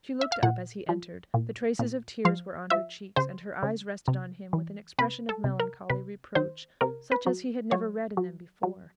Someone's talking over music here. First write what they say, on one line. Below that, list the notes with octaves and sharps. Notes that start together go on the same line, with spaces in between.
She looked up as he entered: the traces of tears were on her cheeks, and her eyes rested on him with an expression of melancholy reproach such as he had never read in them before.
E5
F5
A#2 F#5
F3
A#2
A#2
F3 F5
F3 E5
C#3 C5
C#3
C3
E3
C3 B4
A4
C3
A#4
C3 B4
D#3 C5
C3 A#4
B4
F#3
F#3 C#5
F#3
F#3